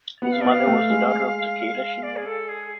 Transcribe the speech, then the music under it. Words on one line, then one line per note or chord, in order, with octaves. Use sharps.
His mother was the daughter of Takeda Shingen.
B3 F#5
F5
B3 D5
F5
A3
G#3
D5
G#4
A4
G#4